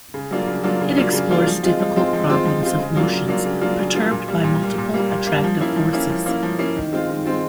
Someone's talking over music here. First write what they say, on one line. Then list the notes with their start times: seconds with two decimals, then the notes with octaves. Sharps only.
It explores difficult problems of motions perturbed by multiple attractive forces.
0.14 C#3
0.31 F#3 A#3 D4 F4
0.48 C#3
0.63 F#3 A#3 D4 F4
0.81 C#3
0.97 F#3 A#3 D4 F4
1.13 C#3
1.30 F#3 A#3 D4 F4
1.47 F3
1.63 G#3 C4 F4
1.80 F3
1.96 G#3 C4 F4
2.13 F3
2.29 G#3 C4 F4
2.45 F3
2.63 G#3 C4 F4
2.79 C#3
2.96 F#3 A#3 D4 F4
3.13 C#3
3.28 F#3 A#3 D4 F4
3.45 C#3
3.61 F#3 A#3 D4 F4
3.79 C#3
3.95 F#3 A#3 D4 F4
4.11 A#2
4.28 G3 A#3
4.44 A#2
4.61 G3 A#3
4.78 A#2
4.94 G3 A#3
5.10 A#2
5.27 G3 A#3
5.44 F3
5.60 A#3 C#4 E4
5.76 F3
5.93 A#3 C#4 E4
6.09 F3
6.26 A#3 C#4 E4
6.43 F3
6.59 A#3 C#4 E4
6.77 D#3
6.93 G#3 C4 F4
7.09 D#3
7.25 G#3 C4 F4